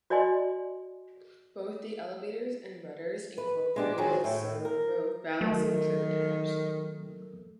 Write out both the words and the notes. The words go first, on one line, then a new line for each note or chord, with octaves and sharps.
Both the elevators and rudders incorporated servo-balancing trim tabs.
F#4 D5 D#5 G#5 C6
B4
G#3 D4 G4
D#3 F3 F#3 G#4
A2 G5
A#4
D#3 F#3 A3 A#4